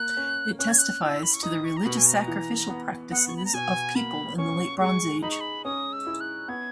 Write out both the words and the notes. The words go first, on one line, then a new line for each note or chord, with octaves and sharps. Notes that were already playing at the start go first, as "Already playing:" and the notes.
It testifies to the religious sacrificial practices of people in the late Bronze Age.
Already playing: A#3 F#6
C#4
C#4 F#6
G#6
F#6
E4 E6
B5
C#6
D#4 D#6
C#6
A#5
B2 B5
G#5
A#5
E3
B3
B3 F#5
C#6
B5
A#5
B2 G#5
A#3 B5
C#4 C#6
G#3 C#6
D#4 B5
C#6
B5
C#4 D#6
E6
E4
F#6
B3 G#6